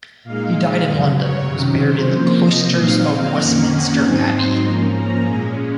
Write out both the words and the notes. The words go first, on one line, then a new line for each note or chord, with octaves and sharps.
He died in London, and was buried in the cloisters of Westminster Abbey.
A#2 G#3 D#4 F5
F#2 C#3 F#3 F5
C#5
C3 D#3 F#3 C#4
C5
C3 F3 A#3 C5
D#5
A#2 F#3 C4 D#4 F5
F2 D#3 A#3 C#4 F#5
F#5
G#2 F#3 C4 D#4 G#5
C6
G#2 F3 A#3 C#4 A#5
A#5
A#2 G#3 C#4 G#5